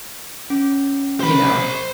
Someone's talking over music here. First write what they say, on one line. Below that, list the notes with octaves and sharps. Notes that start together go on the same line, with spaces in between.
you know,
C#4
C5 B5